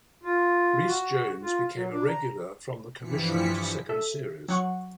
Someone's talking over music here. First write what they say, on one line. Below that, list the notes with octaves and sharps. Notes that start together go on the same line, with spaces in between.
Rhys Jones became a regular from the commissioned second series.
F4
F#4
F4
F#3
D4
A#5
G2 E3 F3 B6 C#7
A4 E5
F#3 F#5 C#6